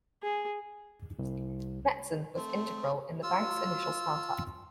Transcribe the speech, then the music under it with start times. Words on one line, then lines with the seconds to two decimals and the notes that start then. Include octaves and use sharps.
Metzen was integral in the bank's initial startup.
0.23 G#4
1.19 C2
2.36 A3 C4
3.23 F4 E6